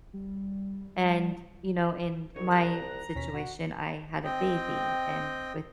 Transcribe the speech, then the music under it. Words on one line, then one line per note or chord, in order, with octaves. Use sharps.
And, you know, in my situation, I had a baby and with
G3
C2 D#4 C#5
A#5 F#6
D#2 B2 C#4 B6
F#4
C4 D#5 G5